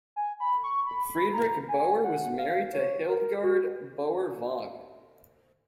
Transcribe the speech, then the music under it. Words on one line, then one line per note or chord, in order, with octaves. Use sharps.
Friedrich Bauer was married to Hildegard Bauer-Vogg.
G#5
B5
C#6
B5
B5
A#5
G#5
F#5
F5
C#5
A#4
F#4